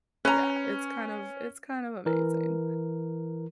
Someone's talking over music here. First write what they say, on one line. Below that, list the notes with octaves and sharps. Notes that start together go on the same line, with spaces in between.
Yeah, it's kind of it's kind of amazing,
C#4 B4 A#5
E3 A#4